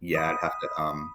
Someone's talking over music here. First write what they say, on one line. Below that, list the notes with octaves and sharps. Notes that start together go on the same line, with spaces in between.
yeah, I'd have to, um,
B5 D#6